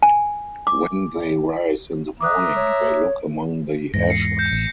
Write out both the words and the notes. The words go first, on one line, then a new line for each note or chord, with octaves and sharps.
When they rise in the morning, they look among the ashes.
G#5
D6
E5 A#5 D6 D#6 F#6
C#5
E2 G#2 A#6
C7 C#7
G6
A1